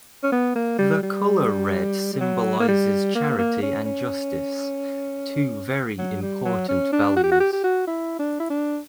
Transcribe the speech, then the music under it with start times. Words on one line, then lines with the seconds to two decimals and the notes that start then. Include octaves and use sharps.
The colour red symbolizes charity and justice, two very important values.
0.23 C#4
0.32 B3
0.55 A#3
0.78 G3
1.03 G3
2.13 G3
2.20 F#3
2.60 A#3
2.68 G3
3.15 A#3
3.38 A#3
3.62 C#4
3.85 C#4
5.98 F#3
6.22 G3
6.45 F#3
6.68 C#4
6.92 D4
7.16 F#4
7.23 G4
7.31 F#4
7.40 G4
7.53 G4
7.64 F#4
7.87 E4
8.19 D4
8.40 E4
8.50 D4